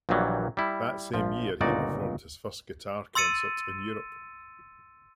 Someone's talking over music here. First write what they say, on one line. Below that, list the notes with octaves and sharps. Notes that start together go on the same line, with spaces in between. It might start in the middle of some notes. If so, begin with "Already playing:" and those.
That same year he performed his first guitar concert in Europe.
A#1 A#2 D#3 E3 F#3 G3
G3 E4
A#1 F3
G1 C#2 A#2 D#4 F#4 D5
C6 E6 A6 C#7 D#7